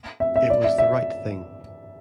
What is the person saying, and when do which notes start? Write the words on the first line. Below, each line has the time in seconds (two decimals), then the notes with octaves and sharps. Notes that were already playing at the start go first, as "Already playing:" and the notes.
It was the right thing.
0.20 E5
0.36 E5
0.50 D5
0.64 E5
0.78 E5